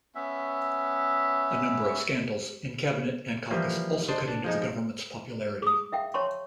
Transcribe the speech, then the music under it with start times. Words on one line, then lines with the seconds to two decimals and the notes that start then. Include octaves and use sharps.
A number of scandals in cabinet and caucus also cut into the government's popularity.
0.15 B3 C#4 E5
3.51 E3 F3 G3 A#3
4.08 D4 C5 D#5
4.28 D4
4.44 F3 G#3 D#4
5.62 G#4 D#6
5.92 E5 F5 G5
6.14 C#5 A5 C6 C#6